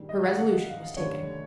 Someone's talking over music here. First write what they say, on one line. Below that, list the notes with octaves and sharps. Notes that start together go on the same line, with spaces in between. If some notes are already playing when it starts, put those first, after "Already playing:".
Her resolution was taken.
Already playing: A#1 G#2 D#3 G3
D#5
F5
A#1 G#2 D#3 G3 F#5
F#5
F5
F5
F1 D#2 D3 G3 C#5